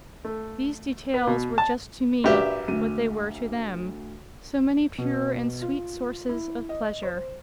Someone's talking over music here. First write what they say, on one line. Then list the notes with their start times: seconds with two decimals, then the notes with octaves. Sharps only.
These details were just to me what they were to them--so many pure and sweet sources of pleasure.
0.25 A3
1.14 B4
1.27 B2
1.58 A5
2.24 A#1 F#4 G4 B4 D5 E5
2.68 D2 D#7
4.98 B2
5.62 F4
6.29 E4
6.69 D#5
7.03 C5